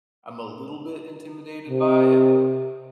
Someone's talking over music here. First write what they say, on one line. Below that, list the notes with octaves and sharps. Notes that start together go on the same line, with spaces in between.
I'm a little bit intimidated by it,
C3